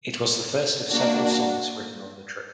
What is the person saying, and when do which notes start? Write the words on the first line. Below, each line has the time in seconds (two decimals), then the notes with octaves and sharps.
It was the first of several songs written on the trip.
0.91 A#3 D4 F#4